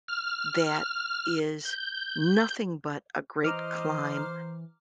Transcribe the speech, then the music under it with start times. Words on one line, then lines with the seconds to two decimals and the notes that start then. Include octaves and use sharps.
that is nothing but a great climb,
0.08 F6
1.65 G6
3.44 E3 C5 D#5 A#5 D6 F6